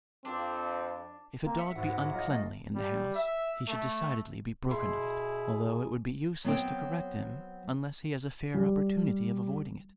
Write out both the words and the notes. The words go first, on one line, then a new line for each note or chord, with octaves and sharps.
If a dog be uncleanly in the house, he should decidedly be broken of it, although it would be useless to correct him unless he has a fair opportunity of avoiding it.
F2 C4 D4
A#3 C4
A4 E5 B6 C#7
G#2 F#3 B3 E4 F#4 F#5
G#3 A#3 E4
F#3 F4 D#5
A3 D#5
G3
E5
A3
B2 E4 G#4 B5 C6
F#3 B3 C4 C#5 G5
G3